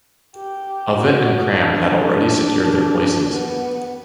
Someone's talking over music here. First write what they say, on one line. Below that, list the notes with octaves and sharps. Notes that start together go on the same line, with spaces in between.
Ovett and Cram had already secured their places.
G4
F#4
D4
D4
B3